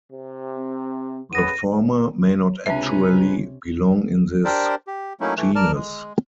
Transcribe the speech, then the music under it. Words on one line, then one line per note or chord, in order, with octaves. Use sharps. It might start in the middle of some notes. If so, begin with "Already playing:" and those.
The former may not actually belong in this genus.
C3
C4
C#3 B3 A#6 D#7
C#2 C3 C#4 D4 B4 E5 G#5 A#5
D4 G4 A#4 C5 D5
G4
F#3 A3 A#3 C#4 D#4 E4
E3 A3
A#4 D5 A5 F6
G#3